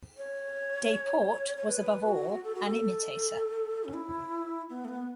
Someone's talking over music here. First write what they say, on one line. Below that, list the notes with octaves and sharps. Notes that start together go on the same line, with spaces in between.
Desportes was above all an imitator.
C#5
C#5
B4
F#4
A4
F#4
A4
C#4
E4
B3
A3
B3